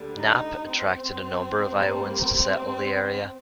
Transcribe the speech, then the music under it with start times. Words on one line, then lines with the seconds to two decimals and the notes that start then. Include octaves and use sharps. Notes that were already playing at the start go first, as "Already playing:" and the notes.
Knapp attracted a number of Iowans to settle the area.
Already playing: D2 D3 G3
0.18 D#4
0.68 C4
1.68 A2 G3 A#3
2.18 C4